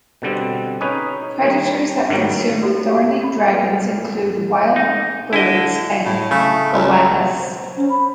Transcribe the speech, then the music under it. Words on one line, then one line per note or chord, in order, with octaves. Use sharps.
Predators that consume thorny dragons include wild birds and goannas.
B2 D3 G3 C4
C#4 D#4 G#4 B4
D#3 G3
G#2 D#3 F#3 G3
E4 F#4 G4 A4 D5
E5
B5
B4
D#4
D3 E4 D#5
A2
C#3 A3
C#2
C5
C#4
B5